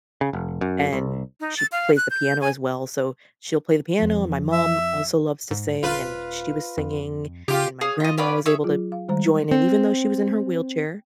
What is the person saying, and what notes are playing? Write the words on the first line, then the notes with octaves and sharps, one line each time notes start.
and she plays the piano as well, so she'll play the piano, and my mom also loves to sing, and she was singing, and my grandma was able to join in even though she was in her wheelchair.
C#3
F1
F#2
C2
D#4
A6
F5
F#6
G6
G#5
F2 F3
E5
G#2
D#1 F4 B4
F2
C#3 F4 G4
G#4 C#5 F5 D#6
F4 D#5
C#4 F4 B4 D5
G#4 C#5 E5 C#6
F#3 F4 G#4
F5
D#3 G3 G#3 C5 A#5
C4